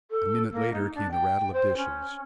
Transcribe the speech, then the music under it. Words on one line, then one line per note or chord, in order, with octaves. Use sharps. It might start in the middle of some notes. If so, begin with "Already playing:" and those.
A minute later came the rattle of dishes.
A4
A#3
D#4
D4
G5
C5
C#4